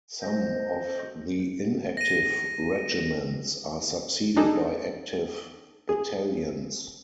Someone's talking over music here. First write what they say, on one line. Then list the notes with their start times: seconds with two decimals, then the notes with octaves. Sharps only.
Some of the inactive regiments are succeeded by active battalions.
0.23 C5 D#5
1.97 A#6 D#7
4.36 D4 D#4 G#4 A4
5.89 G#4